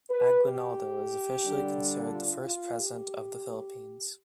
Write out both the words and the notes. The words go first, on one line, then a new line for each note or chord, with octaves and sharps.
Aguinaldo is officially considered the first President of the Philippines.
B4
G4
D3 G3 D4
F4
F4
G4